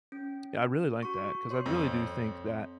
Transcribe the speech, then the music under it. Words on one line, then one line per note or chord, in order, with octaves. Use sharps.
Yeah, I really like that 'cause I really do think that
C#4
F#4 C#6
C#5 C6
F2